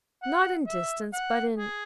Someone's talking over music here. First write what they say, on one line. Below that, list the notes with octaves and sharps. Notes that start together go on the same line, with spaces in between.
'Not in distance, but in--.
F#5
E5
F#5
G#4